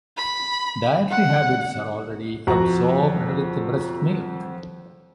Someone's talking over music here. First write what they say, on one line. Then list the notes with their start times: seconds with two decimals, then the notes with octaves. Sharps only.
Dietary habits are already absorbed with breast milk.
0.17 B5
1.10 F#5
2.47 F2 F#4 F#5 A#5